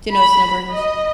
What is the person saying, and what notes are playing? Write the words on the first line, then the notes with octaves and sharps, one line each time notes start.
Do you know what snowbird is?
B5
D#5